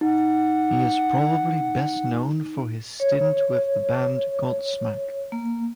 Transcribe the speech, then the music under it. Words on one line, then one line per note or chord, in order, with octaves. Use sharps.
He is probably best known for his stint with the band Godsmack.
D#4 F#5
C#5
A#3